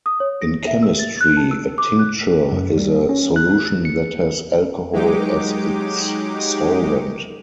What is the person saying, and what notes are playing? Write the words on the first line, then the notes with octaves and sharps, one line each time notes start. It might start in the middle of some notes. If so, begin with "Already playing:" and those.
In chemistry, a tincture is a solution that has alcohol as its solvent.
D#6
C#5
A#6
E5
E6
A6
F#6
A5
E6
D6
F#6
F#2
G3
C#4
F#6
C#7
F#3 G#3 D#4 G4 D6